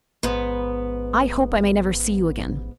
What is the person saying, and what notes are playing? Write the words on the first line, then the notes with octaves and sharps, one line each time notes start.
I hope I may never see you again.
A1 G#2 B3